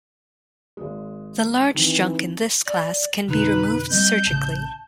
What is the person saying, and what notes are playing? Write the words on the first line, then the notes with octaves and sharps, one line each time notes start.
The large junk in this class can be removed surgically.
G#1 G#3
D#3 E3 C4
D5
F2 B2 D3 D#4 B4
G3 C4 D#5 G6
A1 C#3 A5